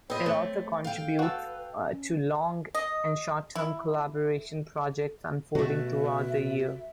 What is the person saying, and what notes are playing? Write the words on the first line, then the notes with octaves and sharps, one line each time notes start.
It also contributes to long- and short-term collaboration projects unfolding throughout the year.
B3 C4 C#5 D#5
A3
A4 F5 G5
F#4 A4 B4
C#4
D#5
E4
B2 A3 F#4
E5